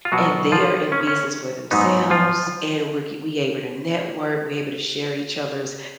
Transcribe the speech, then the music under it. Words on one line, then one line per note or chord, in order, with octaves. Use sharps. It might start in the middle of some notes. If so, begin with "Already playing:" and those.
and they are in business for themselves, and we're ge we able to network, we able to share each other's,
F4
B2 F#3 B3 F#4
F3 F4
C#4
C#4
G#2 F#3 B3 D#4
F3 F4